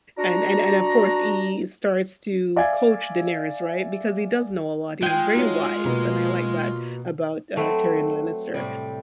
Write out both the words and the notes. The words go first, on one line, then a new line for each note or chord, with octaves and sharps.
and and and, of course, he starts to coach Daenerys, right? Because he does know a lot, he's very wise, and I like that about, uh, Tyrion Lannister.
D4 F#4 A#5
D5 E5 F5 G#5 G#6
G#3 F4 G5 G#5
D#4 F#4 C#5
B2 A#3 B3
F#3 A3 C4 B4
A2 C3 G3